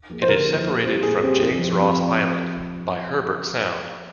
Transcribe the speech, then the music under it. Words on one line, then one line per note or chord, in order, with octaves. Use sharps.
It is separated from James Ross Island by Herbert Sound.
F3 A#3 F4 G#4
C5
D3 A#4
F3 A#3 F4 G#4
A#2
G3 C4 G4 C5
A#2 G#4
G3 C4 G4 C5
F2
C3 F3
F2